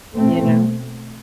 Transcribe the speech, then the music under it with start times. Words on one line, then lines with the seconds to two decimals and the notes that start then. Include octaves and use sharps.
you know?
0.14 B2 A3 C4